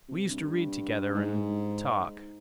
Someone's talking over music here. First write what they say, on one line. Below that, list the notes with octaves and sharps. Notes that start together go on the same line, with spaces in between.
We used to read together and... talk.
C3
G2
G#2